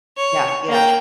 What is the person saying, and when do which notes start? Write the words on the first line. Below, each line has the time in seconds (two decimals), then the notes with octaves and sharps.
Yeah, yeah.
0.17 C#5
0.68 A#3 G5